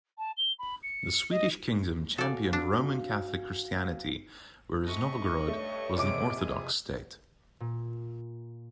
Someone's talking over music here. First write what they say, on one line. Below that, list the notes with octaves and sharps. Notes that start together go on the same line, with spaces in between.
The Swedish kingdom championed Roman Catholic Christianity, whereas Novgorod was an Orthodox state.
A5
G7
B5
C#7
D#5
F#4 A4 D5 F5 G#5
D4
A3 C4 D#5 C#6
G2 A3 C#5
F2 C3 G#4 D6 D7
G#4
A#2